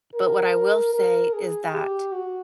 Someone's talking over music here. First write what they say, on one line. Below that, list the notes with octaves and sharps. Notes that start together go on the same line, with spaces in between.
But what I will say is that,
A#4
A#4
G#4
G4
F#4